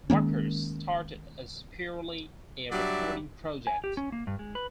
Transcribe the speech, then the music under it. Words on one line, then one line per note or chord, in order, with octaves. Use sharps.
Wipers started as purely a recording project.
D#3 G#3 A#3 C#4
F#3 G3 D4 D5 E5
G#5
G4
C#4
A#3
G2
G#3
B4